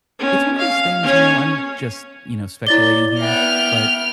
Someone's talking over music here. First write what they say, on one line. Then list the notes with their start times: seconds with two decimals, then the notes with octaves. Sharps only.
It's one of those things, you know, I'm just, you know, speculating here, but
0.19 C#4
0.58 F5
1.03 C#4 C#5
2.67 E4 C#5 D5 D6 A6 G7
3.21 B3 E5 G5 F6